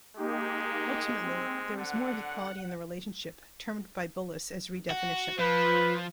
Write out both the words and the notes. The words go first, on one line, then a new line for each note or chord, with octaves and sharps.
Ultimately, there is more of equality in the relationship, termed by Bullis as Redefinition.
G#3 A#3 D#4 G4
C4
D3 F#5
F#4
F3 B4